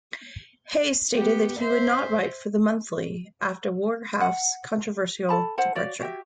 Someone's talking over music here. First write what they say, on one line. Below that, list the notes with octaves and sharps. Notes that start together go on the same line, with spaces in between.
Haigh stated that he would not write for "The Monthly" after Warhaft's controversial departure.
B3 G4
C5 E5
F#5
A4 A5 B5
E4 C5 F#5 A5
F#4 C#5 D5 F5
F#4 G4 E5